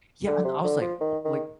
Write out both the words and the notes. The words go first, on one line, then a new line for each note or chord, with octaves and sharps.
Yeah, and I was like like
D3
C3
D3
F3
D#3
D#3